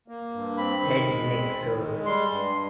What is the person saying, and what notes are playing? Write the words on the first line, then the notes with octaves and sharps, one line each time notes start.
Head Neck Surg.
A#3
G2
C4 B5
D#3
G#3
C4
D#3
G#3
G3 C6
G2